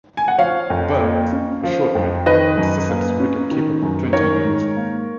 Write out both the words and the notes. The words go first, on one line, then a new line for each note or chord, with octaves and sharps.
Butt, a short man, was Sussex's wicket-keeper for twenty years.
G#5
F#5
F3 C#5 F5
F2
A#3
C#4
F3
F2
D#3 B4 D#5
F#2
A#3
C#4
D#3
F#2
D#3 A#4 C#5
G#2
A#3